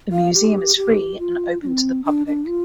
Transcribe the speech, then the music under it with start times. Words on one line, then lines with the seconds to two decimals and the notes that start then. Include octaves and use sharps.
The museum is free and open to the public.
0.12 F5
0.34 G4
0.77 G4
1.19 F4
1.62 D4
1.67 C4
2.05 D4
2.27 D4
2.48 F4